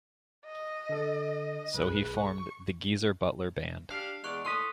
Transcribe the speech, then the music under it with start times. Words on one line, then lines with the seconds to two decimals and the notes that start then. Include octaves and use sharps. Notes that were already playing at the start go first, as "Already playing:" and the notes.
So he formed the "Geezer Butler Band".
0.45 D#5
0.89 D3 A4
1.74 B1 G#4 B4
2.17 C#6
3.90 D4 G4 F5 F6 C7
4.24 E2 G#3 D5 C#6 F#6 F7
4.45 A2 A4 C6 D#6 F#6 B6